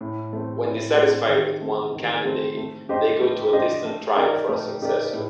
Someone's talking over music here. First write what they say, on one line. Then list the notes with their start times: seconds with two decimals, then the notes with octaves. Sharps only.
When dissatisfied with one candidate, they go to a distant tribe for a successor.
0.01 A2
0.33 A3 C4
0.65 A2
0.97 A3 C4
1.29 D#3
1.61 A3 C4
1.93 D#3
2.25 A3 C4
2.57 A3
2.89 D4 G4 C5 D#5
3.21 A3
3.53 D4 G4 C5 D#5
3.85 A3
4.17 D#4 G4 A#4 D5
4.49 A3
4.82 D#4 G4 A#4 D5
5.13 A2